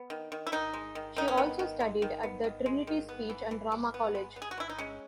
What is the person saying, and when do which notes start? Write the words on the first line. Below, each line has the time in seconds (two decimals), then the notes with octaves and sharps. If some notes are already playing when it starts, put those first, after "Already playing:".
She also studied at the Trinity Speech and Drama College.
Already playing: B3
0.10 D#3
0.32 D#3
0.47 E4
0.52 D#3 D#4
0.73 G#3
0.95 D#3
1.16 D#3 D#4
1.28 C#4
1.37 D#3 B3
1.59 D#3
1.80 G#3
2.02 D#3
2.23 B3
2.44 D#3
2.66 G#3
2.87 D#3
3.09 B3
3.30 E3
3.51 E3
3.72 E3
3.94 B3
4.15 G#3
4.36 B3
4.42 G#4
4.51 F#4
4.58 E3 E4
4.69 D#4
4.78 G#3 C#4